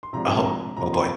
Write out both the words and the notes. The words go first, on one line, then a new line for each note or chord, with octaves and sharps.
Oh, oh, boy.
C6
C3 F3 G#3 D4 A#5
A#5
C3 F3 A#3 A#5
A#5
C6